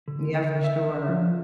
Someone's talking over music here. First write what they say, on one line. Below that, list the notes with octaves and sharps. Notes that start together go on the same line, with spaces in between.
Yeah, for sure.
D3
E5
F3